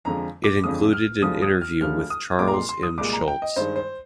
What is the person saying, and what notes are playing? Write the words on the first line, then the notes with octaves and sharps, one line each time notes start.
It included an interview with Charles M. Schulz.
F2 D3 F3 G#3 A#5
D6
F2 D3 F3 G#3 D#6
F6
D2 D3 F3 G#3 D#6
D#6
F6
D2 D3 F3 G#3 F6
D#6
C2 A#2 G#3 D6
A#5
C6
C6
D#6
C2 A#2 G#3 D6
A#5
G5
D#5
G2 D#3 G#3 C5
C5